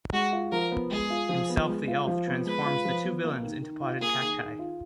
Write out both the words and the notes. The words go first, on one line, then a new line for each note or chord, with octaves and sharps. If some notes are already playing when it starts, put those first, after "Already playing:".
Himself the elf transforms the two villains into potted cacti.
G#3 F#4
F4
F3 A#4
B3
G#3 G#4
F4
F3
B3
G#3
F4
F3
B3
G#3 B4
F4
F3
B3
A#3
D#3
D#3
F4
A#3 G#4
D#3
D#3
F4